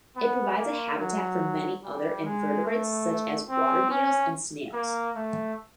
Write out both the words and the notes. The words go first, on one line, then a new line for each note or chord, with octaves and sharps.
It provides a habitat for many other invertebrates such as water beetles and snails.
B3
A#3
F#3
G3
G#3
A3
C4
C#4
A#3
A3